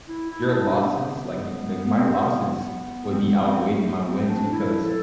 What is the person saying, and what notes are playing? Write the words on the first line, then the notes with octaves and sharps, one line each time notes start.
your losses like, y like, my losses would be outweighed my wins because
E4
E4
D4
B3
B3
C4
B3
C4
B3
C4
A3
B3
C4
D4
E4
A4